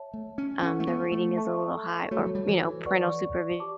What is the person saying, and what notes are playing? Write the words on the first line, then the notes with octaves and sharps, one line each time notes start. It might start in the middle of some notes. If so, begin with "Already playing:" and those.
um, the rating is a little high or, you know, parental supervision,
Already playing: C#5 E5 A5
A3
C#4
C#4 A4 C#5 F#5 C#6
A3
B3
A3
A4 E5 A5 C#6
A3 F#4 A4 C#5
G3
F#3
G3
E3
B4 D5 F#5 C#6
G4 D5 A5 D6